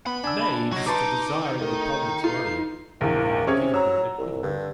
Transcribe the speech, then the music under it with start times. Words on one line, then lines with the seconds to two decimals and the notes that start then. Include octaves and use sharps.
Knaves, for desiring the public's money without giving them an equivalent.
0.06 B3 B5
0.24 D4 G#5 E6
0.72 F#3 F#4 D#5
0.86 D#4 B4 A5 C6 D6
1.61 D#3 A3
2.24 F4 A4 B4 C7
3.01 A#1 E2 A#3
3.47 C3 C#4 G#4 C#5
3.74 F#3 A#5 E6
4.18 C2
4.43 G2 D3